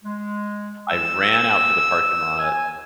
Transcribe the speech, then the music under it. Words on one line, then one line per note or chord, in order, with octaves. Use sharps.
I ran out to the parking lot.
G#3
E6
G#5